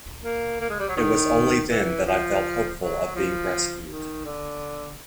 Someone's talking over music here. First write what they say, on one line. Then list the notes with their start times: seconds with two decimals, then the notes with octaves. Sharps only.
It was only then that I felt hopeful of being rescued.
0.24 A#3
0.61 A#3
0.69 G#3
0.80 G3
0.89 F#3
0.97 D#3
1.70 E3
2.06 F3
2.79 F#3
3.15 F3
3.89 D#3
4.25 D3